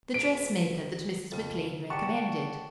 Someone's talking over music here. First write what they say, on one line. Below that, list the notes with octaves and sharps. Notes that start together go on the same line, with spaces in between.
"The dress-maker that Mrs. McClean recommended?"
D2 B6 D7
F2 C#3 A4
G3 G4 F#5 A5 C#6